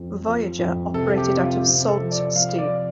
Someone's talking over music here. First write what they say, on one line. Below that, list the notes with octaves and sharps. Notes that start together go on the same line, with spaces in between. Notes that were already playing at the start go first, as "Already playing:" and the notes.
Voyager operated out of Sault Ste.
Already playing: F2
F3
F2
C3 A4
G4
C3
F4
C3
A4
F3
D5
F3 F5
D5